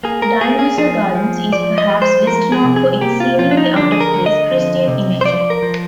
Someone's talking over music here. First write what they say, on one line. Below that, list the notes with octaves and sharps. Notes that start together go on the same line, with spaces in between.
Dinosaur Gardens is perhaps best known for its seemingly out-of-place Christian imagery.
A#3 G#4
A#4
A#3 G#4
G#4
F3 G#4
F3
F3 D5
D#5
G#3
C5
F3 A#4
G#4
C3
G#4
A#3 G4
F4
F3 F4
D4
D#4
D3 D4
G#4
A#4
D3
D#5
F3
C3
C5
F3 D5
A#4
F3